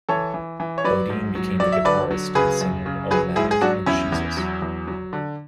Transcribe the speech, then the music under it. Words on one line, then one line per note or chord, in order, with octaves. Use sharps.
Bodine became the guitarist and singer of O-matic and Shesus.
E3 A4 C#5
E3
E3
C#5
F#3 B4 D5
G#2
F#3
F#3 D5
E5
D3 B4 D5
F#3
C#3 G#4 B4
F#2
C#3
F#3 G#4 B4
G#2 E4 G#4
G#4
F#3 D4 F#4
E2 C#4 E4
E2
F#3
E2
F#3
D3